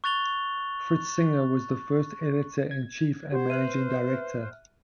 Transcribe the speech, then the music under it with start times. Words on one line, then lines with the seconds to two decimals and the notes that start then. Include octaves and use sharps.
Fritz Singer was the first editor-in-chief and managing director.
0.04 C#6 F#6 A6 F7 G7
2.71 G#6
3.32 G4 C5 F#5
3.50 B4 E5 F6 F#6 D#7